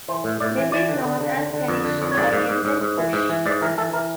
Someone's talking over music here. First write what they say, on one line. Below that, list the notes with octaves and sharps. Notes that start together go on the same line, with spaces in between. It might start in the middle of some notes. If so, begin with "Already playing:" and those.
This is known as "Connection Oriented Push".
E3 C5
A2
A2 D5
E3
E3 D5
D3
D3
D3
D3
D3
F2
D3
F2
C#5
G#2 D5
G#2
G#2
G#2
G#2
E3
G#2
E3
G#2 D5
E3 A#4
E3 A4
E3 A#4